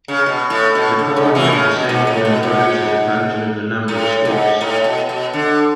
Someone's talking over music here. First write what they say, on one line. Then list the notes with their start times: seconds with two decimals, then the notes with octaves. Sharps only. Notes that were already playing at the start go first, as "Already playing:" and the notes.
The quality of the sample improves as a function of the number of steps.
0.08 C#3
0.26 B2
0.50 A2
0.75 B2
0.99 D3
1.16 G#2
1.35 C#3 E3
1.44 B2
1.52 C#3
1.72 B2
1.89 G#2
2.07 A2
2.25 B2
2.43 G#2
3.88 A2
4.25 G#2
4.61 A2
4.84 B2
5.09 B2
5.33 D3